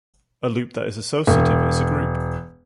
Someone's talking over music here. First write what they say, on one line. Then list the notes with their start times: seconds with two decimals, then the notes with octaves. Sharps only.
A loop that is associative is a group.
1.27 E1